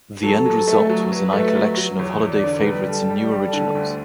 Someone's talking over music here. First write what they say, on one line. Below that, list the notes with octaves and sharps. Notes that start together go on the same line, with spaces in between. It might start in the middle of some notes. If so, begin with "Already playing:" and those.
The end result was a lcollection of holiday favorites and new originals.
F#3 A4
F#3
A3
F#3
F#3 B4
A3
F#3
F#3
E2 C#5
E2
D5
D3
B4
G3
G3 A4
G3
G4
G3
A4
D3
D2